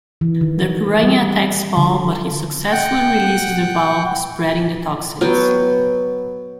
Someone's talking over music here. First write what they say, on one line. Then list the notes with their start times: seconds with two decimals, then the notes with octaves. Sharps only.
The piranha attacks Paul but he successfully releases the valve, spreading the toxins.
0.21 E3
0.41 D#3
1.03 G3
1.77 D3
2.72 F#5 G5
5.21 F#3 B3 G5